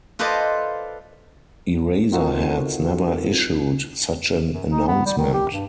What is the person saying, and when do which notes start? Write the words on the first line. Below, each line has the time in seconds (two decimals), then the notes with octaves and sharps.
Eraserheads never issued such an announcement.
0.19 F4 A4 B4 C5 D5 D#5
2.12 C4 D#4 F4 F#4 A4 A#4
4.53 F#2
4.69 D#4
4.87 B3
5.06 G3
5.18 D#3
5.33 G4
5.53 G2